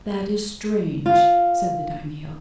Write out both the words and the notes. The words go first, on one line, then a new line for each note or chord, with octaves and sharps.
"That is strange!" said the Daimio.
F4